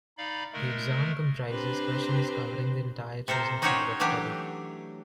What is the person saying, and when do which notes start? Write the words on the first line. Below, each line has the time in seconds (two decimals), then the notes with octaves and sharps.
The exam comprises questions covering the entire chosen field of study.
0.18 D#4 D5 F5 B5
0.53 G#3 A3 A#4
1.49 C4 D4 G4 B4 C5 A#5
3.28 C3 A4 A#4 C5
3.62 C#4 D#4 F#4 G4 C5 C#5
4.00 E3 F#3 A3 D4 G4